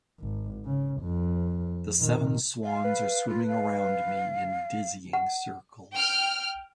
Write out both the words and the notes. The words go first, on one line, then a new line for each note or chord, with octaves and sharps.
The seven swans are swimming around me in dizzying circles.
G#1
C#3
F2
A#2 D#3
F5
B4
F4
F5
F#5
G5 F6